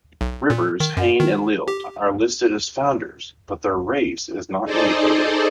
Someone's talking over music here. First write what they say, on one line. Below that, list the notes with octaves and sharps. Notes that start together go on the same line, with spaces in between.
Rivers, Hayne and Leeld are listed as founders but their race is not indicated.
B1
A#2
D#3
F#2
D#3
G4
D#4 G#4 A4 C5 D5 D#5